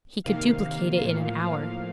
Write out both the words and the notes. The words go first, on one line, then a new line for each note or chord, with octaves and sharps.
He could duplicate it in an hour.
C3 D#3 A#3 F5
A2 F3 A#3
F5